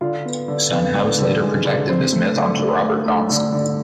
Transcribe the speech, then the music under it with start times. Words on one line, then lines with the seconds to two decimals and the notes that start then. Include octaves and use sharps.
Son House later projected this myth onto Robert Johnson.
0.01 D3 F4
0.25 B3
0.48 D3
0.72 B3
0.95 D3
1.18 D3
1.42 G#3
1.65 D3
1.88 C4 C5
2.12 A3
2.36 D3
2.59 D3
2.83 A3
3.06 A3
3.30 D3
3.52 D3